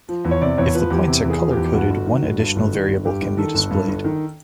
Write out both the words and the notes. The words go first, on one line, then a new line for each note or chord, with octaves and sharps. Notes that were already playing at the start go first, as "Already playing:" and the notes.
If the points are color-coded, one additional variable can be displayed.
F3
E2
C#5
C3 D5
E2 C#5
F3 B4
E2 G4
C3 G4
E2
G#4
F3
G4
E2
G4
G2 F#4
G1
D#3
G1
G2
G1
D#3
G1
G2 G4
G1
D#3 A4
G1
G2
G1
D#3